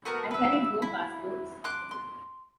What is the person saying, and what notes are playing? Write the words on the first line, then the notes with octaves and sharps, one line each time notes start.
I carried no passports.
A3 B3 F#4 A#4
B4 E5
E4
C6 D6 F#6
C6